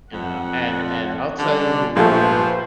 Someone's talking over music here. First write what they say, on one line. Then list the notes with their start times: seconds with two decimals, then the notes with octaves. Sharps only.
you know, and and I'll tell you the
0.13 F2 F#5
1.39 D3 G3 C#4 D4
1.96 A#1 F3 A3 G4 B4 C5